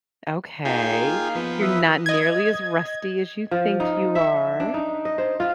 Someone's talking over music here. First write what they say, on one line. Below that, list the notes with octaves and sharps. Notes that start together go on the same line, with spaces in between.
Okay. You're not nearly as rusty as you think you are.
A#3 D#4 F4 G#4 F5 G5
F3 B3
B4 E5 D#6
D#5 G#6
F3
D#4
E5
D4
D#4
D#5
C5
F4